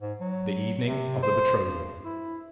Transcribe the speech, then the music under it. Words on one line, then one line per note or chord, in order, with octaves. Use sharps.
The Evening of the Betrothal.
G#2
F#3
C3
C5
G2
E4